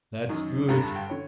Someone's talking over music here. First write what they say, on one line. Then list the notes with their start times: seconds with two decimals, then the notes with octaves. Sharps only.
That's good!
0.29 F#2 D#3 F#3
0.69 G2 D3 G3 A#5
0.82 A5
0.96 G5
1.10 D3 C#5